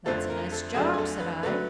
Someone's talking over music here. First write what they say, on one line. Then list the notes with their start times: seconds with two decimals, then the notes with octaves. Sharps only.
"That's a nice job," said I.
0.06 F2 D3 F3 A3 C4 A4
0.30 A#4
0.52 A4
0.74 F2 D3 F#3 A3 D4 G#4
0.94 G#4
0.98 A4
1.20 B4
1.43 D3 F#3 A3 B4